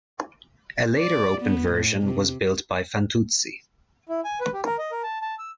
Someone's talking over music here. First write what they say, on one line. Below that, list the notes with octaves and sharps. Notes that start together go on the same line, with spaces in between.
A later open version was built by Fantuzzi.
D5
B3
A2
C3
E4
G#5
B4
G4
A#4
D#5
A#4
A5
A5
E6